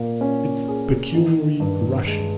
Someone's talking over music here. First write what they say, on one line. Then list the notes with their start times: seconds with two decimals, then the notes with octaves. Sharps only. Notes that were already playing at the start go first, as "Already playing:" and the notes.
It's peculiarly Russian.
Already playing: A#2 A#3
0.21 C#4
0.68 G#4
1.15 D#3
1.60 G2
2.07 G#3